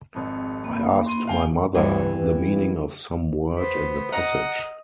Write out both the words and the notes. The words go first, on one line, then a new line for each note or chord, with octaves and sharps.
I asked my mother the meaning of some word in the passage.
G#1 F2
A#3 B5
C6 D#7
F5 G5 G#5
G2 E3 B3 C4
B3 C5 B6
D#5 F#5 A#5